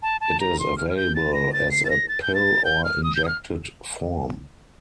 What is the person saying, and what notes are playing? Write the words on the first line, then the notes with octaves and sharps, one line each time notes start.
It is available as a pill or injected form.
A5
A5
A#5
C6
F6
F6
G6
A6
A#6
A6
C7
A6
A#6
A6
G6
A6
G6
F6
D#6
G6
D#6
F6